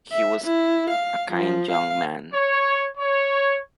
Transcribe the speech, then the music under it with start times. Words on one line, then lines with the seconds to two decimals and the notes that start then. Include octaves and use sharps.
He was a kind young man.
0.12 E5
0.45 E4
0.90 F5
1.32 F3
1.72 F5
2.33 C#5
2.97 C#5